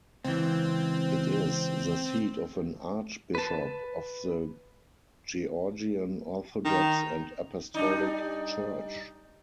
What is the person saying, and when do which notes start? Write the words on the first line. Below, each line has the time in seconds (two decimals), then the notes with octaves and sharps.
It is the seat of an archbishop of the Georgian Orthodox and Apostolic Church.
0.24 C#2 E3 C4
3.35 B4 A5
6.65 D#3
7.74 G3 D4 D#4